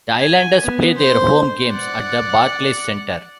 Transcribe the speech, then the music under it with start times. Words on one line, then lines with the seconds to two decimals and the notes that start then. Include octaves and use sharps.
The Islanders play their home games at the Barclays Center.
0.19 G#5
0.61 B3
0.97 C5
1.72 D5 F#5